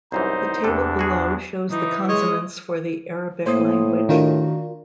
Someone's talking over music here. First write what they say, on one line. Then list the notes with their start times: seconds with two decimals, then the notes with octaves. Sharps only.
The table below shows the consonants for the Arabic language.
0.12 C2 F#2 E3 D#4 C5
0.64 E2 C3 D4 A4
0.99 F#4 G#4
1.71 E3 D#4
2.08 G#3 C#5 D#5
3.46 A2 A#3 C5 D#6
4.09 D#3 D4 F4 F#4 A#4